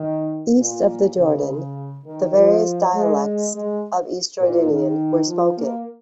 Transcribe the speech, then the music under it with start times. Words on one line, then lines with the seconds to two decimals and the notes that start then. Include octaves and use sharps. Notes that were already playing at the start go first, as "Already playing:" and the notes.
East of the Jordan, the various dialects of East Jordanian were spoken.
Already playing: D#3
0.59 A#2
1.17 C#3
2.05 D#3
2.35 F3
2.93 G#3
3.52 G#3
4.40 A#2
4.69 D#3
5.27 F3
5.57 A#3